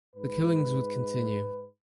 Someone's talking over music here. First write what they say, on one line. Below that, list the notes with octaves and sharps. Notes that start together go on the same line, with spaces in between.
The killings would continue.
G#2 B4